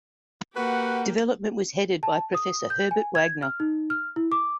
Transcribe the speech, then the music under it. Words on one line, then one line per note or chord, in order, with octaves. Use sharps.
Development was headed by Professor Herbert Wagner.
A#3 F#4 G4 B4 F#5
A5
D#6
G6
G#5
G#6
F6
D#4
F6
E4
D6